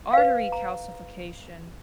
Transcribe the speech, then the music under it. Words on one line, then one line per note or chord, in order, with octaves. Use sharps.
artery calcification.
B4 F5
A#5